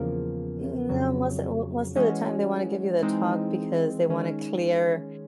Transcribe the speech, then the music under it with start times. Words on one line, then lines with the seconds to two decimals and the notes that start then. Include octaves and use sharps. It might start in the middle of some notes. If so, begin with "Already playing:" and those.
No, most of most of the time they wanna give you the talk because they wanna clear
Already playing: E2 C#3 F3 A#3
0.89 F2 C#3 F#3
1.95 E3 G#3 C#4 F#4
3.02 E3 G#3 C4 D#4
4.09 D#3 G#3 C#4